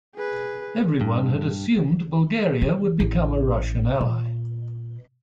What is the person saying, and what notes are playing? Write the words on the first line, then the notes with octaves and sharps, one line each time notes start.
Everyone had assumed Bulgaria would become a Russian ally.
G#4 B4
G2
D#3 A#3
A1
A#2